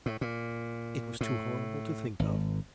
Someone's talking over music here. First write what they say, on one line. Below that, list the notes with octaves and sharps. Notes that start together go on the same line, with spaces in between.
It was too horrible to think of.
A2
A#2
A2
G#1